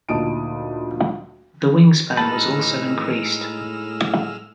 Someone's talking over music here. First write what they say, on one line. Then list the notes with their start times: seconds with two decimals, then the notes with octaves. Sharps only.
The wingspan was also increased.
0.09 D2 A#2 D#4 A5 D#6 D7
2.17 A2 G#3 D#4 B4 A5 E6 F6